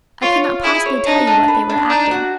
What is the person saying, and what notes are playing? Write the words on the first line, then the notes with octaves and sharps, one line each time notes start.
I could not possibly tell you what they were acting.
F4 C#5
F4
E4 G#4
C#5
D4 D#4
D4
B4
D4
D4 D#4
F#4